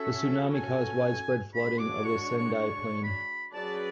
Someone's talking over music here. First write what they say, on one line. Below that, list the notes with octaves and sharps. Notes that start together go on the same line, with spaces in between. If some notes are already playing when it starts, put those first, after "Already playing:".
The tsunami caused widespread flooding of the Sendai plain.
Already playing: C#4 F#4 A4 E5
G#5
G#3 D4 F#4 C#5 B5
D6
C#6
C#6
C#6
C#6
B5
F#3 C#4 G#4 B4 D5 A5